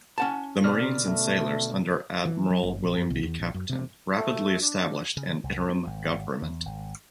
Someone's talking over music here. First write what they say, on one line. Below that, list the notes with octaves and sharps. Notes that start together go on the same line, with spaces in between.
The Marines and sailors under Admiral William B. Caperton rapidly reestablished an interim government.
C#4 F#5 A5
B2 D3 D5 F6
A3
E3
F#3
F#1
A#1
F#2
C2
E2
A#1
F#2
C3
A3
D4
C#3
C2
C4
G#1
E2
G#1